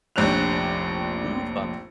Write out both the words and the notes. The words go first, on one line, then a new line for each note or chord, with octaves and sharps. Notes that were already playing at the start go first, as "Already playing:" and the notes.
Ooh, fun.
F1 A#1 D4 C#5 F#6 F7